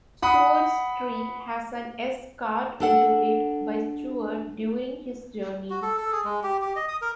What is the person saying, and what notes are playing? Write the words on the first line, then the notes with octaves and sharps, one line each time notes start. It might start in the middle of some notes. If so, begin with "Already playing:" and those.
Stuart's Tree has an 'S' carved into it by Stuart during his journey.
F#5 B5 D#6
D4 A4 F#5
F#4
A4
A4
G#4
G#3
G4
G4
D#5
D#6
A#4